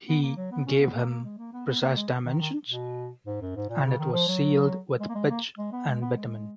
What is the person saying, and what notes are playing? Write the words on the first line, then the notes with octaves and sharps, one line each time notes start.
He gave him precise dimensions, and it was sealed with pitch and bitumen.
B3
A#3
F#3
B3
C#4
B3
A#3
A#3
G#3
A#3
B3
B3
A#3
G#3
D#3
D#3
B2
G#2
F#2
G#2
A#2
C#3
D#3
F3
F#3
G#3
A#3
G#3
A#3
G#3
B3
G#3
B3
G#3